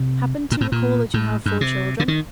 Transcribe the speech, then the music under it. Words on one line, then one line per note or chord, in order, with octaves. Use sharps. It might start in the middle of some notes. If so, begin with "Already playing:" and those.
Happened to recall that you have four children.
Already playing: C3
A#2
A2
A#2
A2
G2
C3
D3
D#3